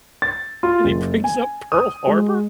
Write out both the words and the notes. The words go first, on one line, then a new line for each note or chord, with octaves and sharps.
And he brings up Pearl Harbor,
A6
F4
F#1
G#5
D#6
G#3